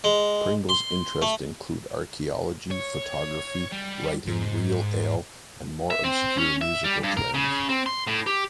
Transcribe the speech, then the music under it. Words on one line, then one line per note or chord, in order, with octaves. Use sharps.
Pringle's interests include archaeology, photography, writing, real ale, and more obscure musical trends.
G#3
C6
A3
C#5
G3
G#2
E5
C4
C#4
E5
G3
G2
A#4
C#3
C4
C6
A2
G4